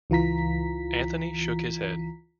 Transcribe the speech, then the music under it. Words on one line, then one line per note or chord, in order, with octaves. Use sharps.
Anthony shook his head.
C#2 E3 F4 A#5 B6